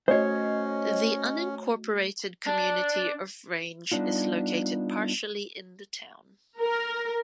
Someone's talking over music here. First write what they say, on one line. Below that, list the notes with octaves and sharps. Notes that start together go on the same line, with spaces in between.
The unincorporated community of Range is located partially in the town.
A3 C#4 F#4 C5 C#5 D#5
D4
G3 B3 D4 D#4 F4
A#4